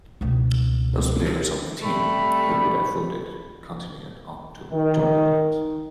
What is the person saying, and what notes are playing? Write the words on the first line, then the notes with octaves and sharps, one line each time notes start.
Those players on the team who could afford it continued on to tour England.
C#2 B2
C3 G3 A3 B5
D#3